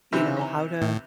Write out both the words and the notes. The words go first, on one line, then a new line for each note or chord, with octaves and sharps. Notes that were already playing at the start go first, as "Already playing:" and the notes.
you know, how to
C3 E3 D4 D#4 B5
C#5 G#5 A#5
A2